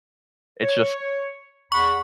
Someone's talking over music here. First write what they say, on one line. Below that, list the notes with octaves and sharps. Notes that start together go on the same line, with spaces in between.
it's just
C#5
E2 F#5 B5 C#6